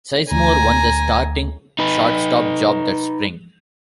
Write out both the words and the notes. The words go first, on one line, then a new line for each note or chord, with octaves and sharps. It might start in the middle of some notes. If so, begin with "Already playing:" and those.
Sizemore won the starting shortstop job that Spring.
D2 G#5 A#5
D#4 B4